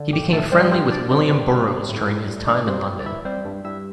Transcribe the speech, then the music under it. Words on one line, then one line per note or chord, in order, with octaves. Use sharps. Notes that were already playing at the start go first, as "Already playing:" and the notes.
He became friendly with William Burroughs during his time in London.
Already playing: D3
A2 G4
A2 A3 A4
G3 C4 C5
G2 C4 C5
G2 D4 D5
G3 C4 C5
G2
G3
G2
A2
G3
A2
E3 D4 D5
G3 C4 C5
G3
D5
E3 E4 E5
G3 C4 C5
G2
G2 E4 E5